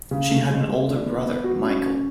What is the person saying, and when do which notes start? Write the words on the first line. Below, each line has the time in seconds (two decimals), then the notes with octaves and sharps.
She had an older brother, Michael.
0.11 C#3
0.30 A3
0.49 G#3
0.68 G#3
0.88 D3
1.06 B3
1.26 B3
1.44 F#4
1.63 C#4
1.83 C#4